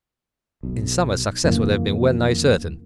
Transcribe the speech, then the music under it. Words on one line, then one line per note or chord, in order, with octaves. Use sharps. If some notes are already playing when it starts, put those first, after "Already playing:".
In summer, success would have been well-nigh certain.
B1
F2 C#3 E3 A#3